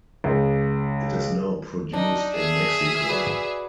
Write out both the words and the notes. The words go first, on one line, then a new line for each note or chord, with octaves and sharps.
It is now produced in Mexico.
C#2
D4 D#4
G#4 E5
F#4 B4 D5